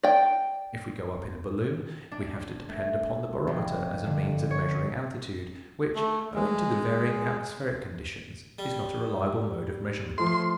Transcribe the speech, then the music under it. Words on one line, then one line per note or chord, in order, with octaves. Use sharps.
If we go up in a balloon we have to depend upon the barometer as a means of measuring altitude, which, owing to the varying atmospheric conditions, is not a reliable mode of measurement.
D5 G5
D4
A3
F1
D3
C#5
A3
G#3
G3
F3 A3 C6